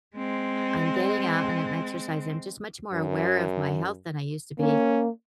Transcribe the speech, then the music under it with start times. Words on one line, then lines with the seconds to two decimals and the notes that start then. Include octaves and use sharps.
I'm getting out, and I'm exercising. I'm just much more aware of my health than I used to be,
0.16 G#3 C4
2.93 F#2
4.59 A#3 C#4